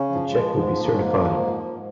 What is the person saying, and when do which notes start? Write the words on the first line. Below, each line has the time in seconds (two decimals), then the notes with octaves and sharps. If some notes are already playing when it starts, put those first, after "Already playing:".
The check will be certified.
Already playing: C#3 C#4
0.09 F3
0.29 F3 G#3
0.48 G#2
0.55 G#3
0.67 F3
0.80 A#3
0.88 G#2 C#4
0.99 A#3
1.06 F3
1.27 G#2
1.45 F3
1.66 G#2